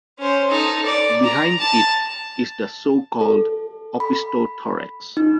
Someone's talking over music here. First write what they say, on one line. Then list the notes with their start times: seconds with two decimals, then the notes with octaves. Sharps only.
Behind it is the so-called opistothorax.
0.19 C#4 C5
0.49 D#4 A4
0.85 D5
1.24 A#5
1.59 A5
3.21 A4
4.00 B5
5.17 D#4